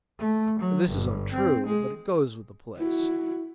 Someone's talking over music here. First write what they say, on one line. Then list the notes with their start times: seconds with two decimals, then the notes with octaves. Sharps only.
This is untrue, but it goes with the place.
0.19 A3
0.60 F#3
0.88 G1
1.33 C4
1.66 G#3
2.78 E4 F#4